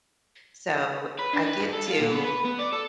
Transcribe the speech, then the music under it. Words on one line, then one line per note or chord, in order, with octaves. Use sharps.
So, I get to,
B4
D4
B4
G2
A4
F4
A#2
B3
B4
B3
D5
A4